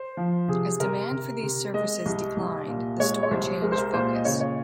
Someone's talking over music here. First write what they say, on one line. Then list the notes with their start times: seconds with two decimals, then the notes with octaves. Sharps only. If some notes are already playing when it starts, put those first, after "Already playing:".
As demand for these services declined, the store changed focus.
Already playing: C5
0.17 F3
0.48 C3 G#4
0.80 C3 A#4
1.11 C3
1.43 C3
1.74 G#3 D#5
2.06 C2
2.37 C2
2.68 A#2
3.00 G#3 C#5
3.23 C#5
3.31 C2 C5
3.62 G#3 A#4
3.72 C5
3.78 A#4
3.94 A#2 C5
4.14 D#5
4.25 C#3 C#5
4.40 C#5